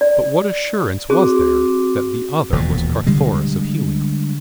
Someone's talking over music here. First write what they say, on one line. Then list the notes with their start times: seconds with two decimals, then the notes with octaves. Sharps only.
But what assurance was there that the other was Carthoris of Helium?
0.01 D5
1.10 C4 F#4 G#4 D6
2.53 E1 D#2 A#2
3.07 D3 G3 G#3